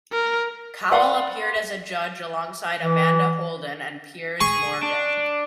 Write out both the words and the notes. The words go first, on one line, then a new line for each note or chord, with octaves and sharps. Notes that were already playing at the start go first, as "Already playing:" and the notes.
Cowell appeared as a judge alongside Amanda Holden and Piers Morgan.
A#4
B4 D5 F5 F#5 C6
E3
G#4 C#6
D4